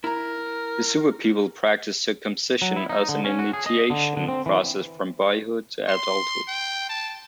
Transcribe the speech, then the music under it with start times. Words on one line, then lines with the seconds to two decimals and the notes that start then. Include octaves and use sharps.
The Suba people practice circumcision as an initiation process from boyhood to adulthood.
0.04 E4 A#4 A#5
2.62 F#3
2.76 E4
2.89 D#4
3.09 D3
3.25 C#4
3.39 F#4
3.53 G#4
3.66 D#5
3.90 D3
4.17 D3
4.28 C4
4.46 E3
5.88 C6
6.48 G5
6.89 A5